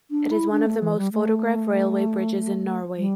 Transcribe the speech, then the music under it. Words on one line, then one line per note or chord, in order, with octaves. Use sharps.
It is one of the most photographed railway bridges in Norway.
D4
E4
D4
A3
E3
G3
A3
G3